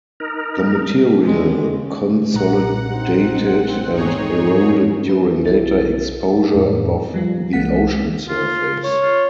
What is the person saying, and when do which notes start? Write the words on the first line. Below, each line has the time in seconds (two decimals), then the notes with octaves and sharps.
The material consolidated and eroded during later exposure above the ocean surface.
0.20 D#4 A#4
1.24 D#3 G#3
1.68 C#3
2.34 B1 A#2 F#5 A#5
2.87 C4 D#4
3.92 G#2 D#4 G#4 C#5
5.07 F#4 B4
5.44 B1 E4 A6
6.54 F2 A2
7.14 F3 G3 F4
7.53 C2 E3 G#3 A#3 F#5 B6
8.28 F4
8.84 C#5
9.01 F4